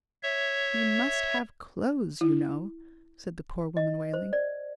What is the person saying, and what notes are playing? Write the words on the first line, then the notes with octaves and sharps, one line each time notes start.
"He must have clothes, you know," said the poor woman, wailing.
C#5 E5
E4
D#5
C5
D5